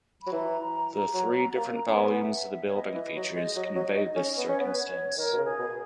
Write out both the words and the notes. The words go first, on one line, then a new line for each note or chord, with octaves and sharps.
The three different volumes the building features convey this circumstance.
B5
F#3
E3 A#5
F#3
A#3
C#4 A#5
B3 G#5
F#5
E5
E5
C#5
B3 D#5
E3
F#3
G#3
F#3
F#3
D#4
C#4
B3 D#5
C#4 C#5
B3 B4
C#5
D#3 A#4
B2
C#3
G#4
B2